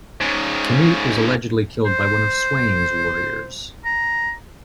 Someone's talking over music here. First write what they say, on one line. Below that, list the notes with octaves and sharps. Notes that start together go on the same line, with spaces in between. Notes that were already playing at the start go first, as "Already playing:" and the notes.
Canute was allegedly killed by one of Sweyn's warriors.
G#2 C#3
C5
A#5